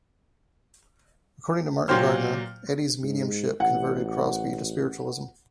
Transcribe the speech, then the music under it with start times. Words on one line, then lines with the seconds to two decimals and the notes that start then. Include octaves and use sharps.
According to Martin Gardner, Eddy's mediumship converted Crosby to Spiritualism.
1.88 A#2 F#3 G4 C5 F6
3.03 G#2
3.60 A1 F#5